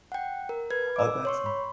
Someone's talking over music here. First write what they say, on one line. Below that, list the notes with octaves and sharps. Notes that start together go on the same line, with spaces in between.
Oh, that's in
F#5 G5
A#4
B4 G#6
D6 E6
C#5 C6 C#6
B5